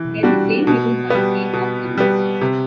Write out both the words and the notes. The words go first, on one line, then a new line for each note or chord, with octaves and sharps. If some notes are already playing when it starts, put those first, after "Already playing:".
Then the same little man came up the room.
Already playing: E3
G3 D4 F#4
B2
G3 B3
B2
G3 B3
C3